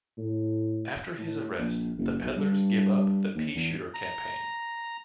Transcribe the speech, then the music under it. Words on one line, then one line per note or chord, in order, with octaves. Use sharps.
After his arrest, the peddlers give up the Pea-Shooter Campaign.
A2
A2
A#1
F#1
B1
G2
D#2
E2
A#5